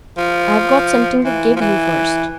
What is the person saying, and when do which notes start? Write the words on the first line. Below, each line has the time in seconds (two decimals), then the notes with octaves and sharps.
I've got something to give you first.
0.18 F3
1.25 E3
1.56 F3
1.60 E3